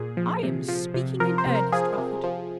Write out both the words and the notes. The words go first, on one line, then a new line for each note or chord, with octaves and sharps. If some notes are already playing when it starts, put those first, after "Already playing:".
I am speaking in earnest, Rufford.
Already playing: A#2 G#4
F3
C3
F3
C3
F3 A#4
C5
C3
A#4
F3 G#4
C3
F3